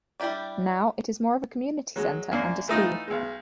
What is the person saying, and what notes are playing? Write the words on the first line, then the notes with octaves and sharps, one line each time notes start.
Now, it is more of a community centre and a school.
G3 D4 E4 G4 D5
F#3 G#3
F#2 A#3 D4
E3 A3 D#4 F4
B1 G#3